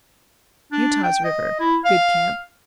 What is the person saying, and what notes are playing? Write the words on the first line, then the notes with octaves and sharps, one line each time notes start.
Utah's River.--Good camp.
D4
G5
D#5
E4
F5